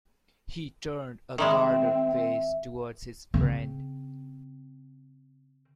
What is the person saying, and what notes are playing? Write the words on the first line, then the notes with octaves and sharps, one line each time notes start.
He turned a guarded face towards his friend.
D#3 G3 G#3 C4 E5
C#3 C4